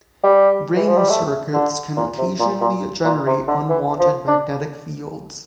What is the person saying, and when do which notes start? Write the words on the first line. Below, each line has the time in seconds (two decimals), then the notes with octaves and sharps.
Ring circuits can occasionally generate unwanted magnetic fields.
0.23 G3
0.76 E3
0.87 F3
0.98 G3
1.10 A3
1.54 D3
1.97 A#2
2.18 C3
2.39 A#2
2.61 A#2
3.04 A#2
3.27 C3
3.48 D3
3.69 E3
3.99 F3
4.27 D4